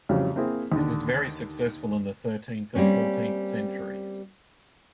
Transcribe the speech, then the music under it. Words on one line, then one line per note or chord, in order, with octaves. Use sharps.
It was very successful in the thirteenth and fourteenth centuries.
F2 A2 C#3 F#3 G3
A#3 C4 E4 G#4
D#2 D3
G3 A#3 C4 C#4